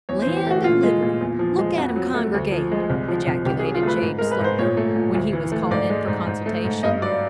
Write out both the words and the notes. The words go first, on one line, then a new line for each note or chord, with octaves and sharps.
"Land of liberty! look at 'em congregate!" ejaculated Jabe Slocum, when he was called in for consultation.
E2 C#5
C5
E3
G4
A3 F#4
A#2 F4
G#3
A#2
E2
F3
G#3
F2 F#4
F#3
A3
D2
F3
G#3
C2
F3
C2
C2 G4
G#4
F#3
F4
A3 B4
G#2
G#3 A#4
B4
G#2 C5
A#2 C#5
A3
A#2
D2
E3
A3
G#2 D5
G#3
G#2
G#2
A3
G#2
G2 D#5
F#3 D5